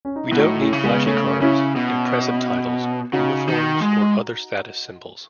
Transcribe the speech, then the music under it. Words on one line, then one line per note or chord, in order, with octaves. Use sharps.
We don't need flashy cars, impressive titles, uniforms or other status symbols.
C#4
D#4
E4
B2
A2 D#4 F#4
C#4 E4
C#3
G#3 B3
C#3 A3 C#4
C#3 C#4 E4
B2
C#3 D#4 F#4
D#3
G#3